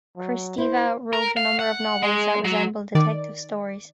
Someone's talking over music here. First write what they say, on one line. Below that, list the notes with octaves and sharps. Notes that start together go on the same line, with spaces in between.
Kristeva wrote a number of novels that resemble detective stories.
F#3
E4 C5
A#4
F5
F#5
G#3
F#3
D#3 D5